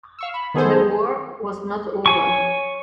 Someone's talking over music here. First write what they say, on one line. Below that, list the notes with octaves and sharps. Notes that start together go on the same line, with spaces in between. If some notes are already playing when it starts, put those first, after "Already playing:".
The war was not over.
F5 C#6 E6
B5
D#3 B3 G#4 A4 C5
C#5 G#5 C#6